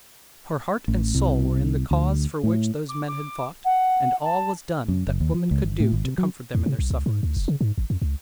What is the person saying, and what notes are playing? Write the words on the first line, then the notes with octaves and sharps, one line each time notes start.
Her heart and soul were in the cause for which those men had fought, and all was done that Woman could do to comfort them in their sufferings.
A1
C2
D2
A2
D6
D6
F#5
A5
F#2
F#1
D#2
F3
C#2
G1
A2
G#1
C3
F#3
E2
C3
B1
C#2
G#2
D2
F1
C#3
G#2
G#1
F2
C#2